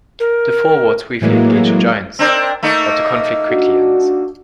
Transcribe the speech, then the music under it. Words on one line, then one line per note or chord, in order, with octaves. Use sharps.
The Forwards briefly engage the Giants, but the conflict quickly ends.
A#4
A2 E3 F#3 G#3 A#3
C4 D4 A#4
A3 A#3 D#4
D4 F#4